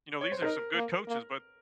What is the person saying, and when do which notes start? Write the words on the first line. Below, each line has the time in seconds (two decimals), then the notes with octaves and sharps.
You know, these are some good coaches, but
0.21 C#5
0.32 C5
0.42 D#4 A#4
0.75 A#3
1.07 A#3